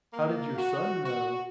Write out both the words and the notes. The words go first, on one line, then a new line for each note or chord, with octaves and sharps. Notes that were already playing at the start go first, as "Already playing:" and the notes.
How did your son, uh,
A#3
F#4
F#4